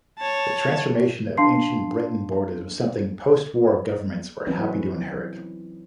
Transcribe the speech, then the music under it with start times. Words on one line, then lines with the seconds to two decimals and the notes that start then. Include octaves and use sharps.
The transformation of ancient Breton borders was something post-war governments were happy to inherit.
0.19 C#5 A5
1.37 D4 F5 A5 C6 C7
4.46 E3 F#3 C4 C#4 D#4 B4